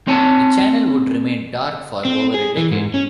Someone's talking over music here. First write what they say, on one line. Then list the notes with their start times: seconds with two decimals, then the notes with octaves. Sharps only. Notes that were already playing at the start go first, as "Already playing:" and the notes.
The channel would remain dark for over a decade.
0.07 C4 C#5 G#5 A5
2.05 C4
2.34 G#4
2.57 E3
2.71 G#2
2.94 C#4